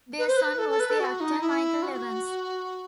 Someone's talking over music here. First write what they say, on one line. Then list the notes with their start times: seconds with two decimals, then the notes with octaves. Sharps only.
Their son was the actor Michael Evans.
0.18 B4
0.28 C5
0.37 B4
0.58 A4
0.69 A4
0.80 B4
0.90 A4
1.00 F#4
1.20 D#4
1.41 E4
1.83 F#4